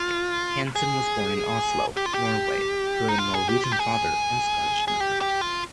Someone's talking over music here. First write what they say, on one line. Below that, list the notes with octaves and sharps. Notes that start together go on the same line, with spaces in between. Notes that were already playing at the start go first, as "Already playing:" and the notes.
Hansen was born in Oslo, Norway to a Norwegian father and Scottish mother.
Already playing: F4
G#4
G4
F4
G4
D#4
F4
G#4
G4
F4
G4
G#4
G#4
G4
G4
F4